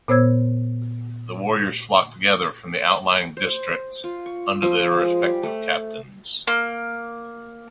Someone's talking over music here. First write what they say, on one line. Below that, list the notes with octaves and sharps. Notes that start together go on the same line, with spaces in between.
The warriors flocked together from the outlying districts under their respective captains.
A#2 B3 C5 C#5 E6 G#6
C5
F4
C#6
F3
G#3
G3
A3
A#3